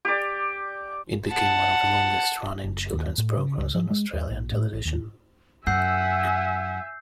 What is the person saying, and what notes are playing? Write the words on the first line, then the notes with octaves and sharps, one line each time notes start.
It became one of the longest running children's programs on Australian television.
G4 D5
F#5 A5
F#1
D#2
A2
C#3
C#2
F3
G#3
D#2
A#1
A2
A1
D#2
F#2 E5 F#5 G#5 E6 G6 C7